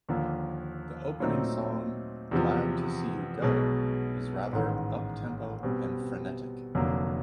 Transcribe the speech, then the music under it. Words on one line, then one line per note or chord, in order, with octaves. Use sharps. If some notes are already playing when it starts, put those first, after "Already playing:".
The opening song, "Glad to See You Go", is rather uptempo and frenetic.
D#2 D3 F3 A#3
A#2 F#3 A3 C4 D#4
E2 C3 F3
B1 B2 G#3
A1 G#2 D#3
B2 G3 C4
F1 F2 D3 F#3 A#3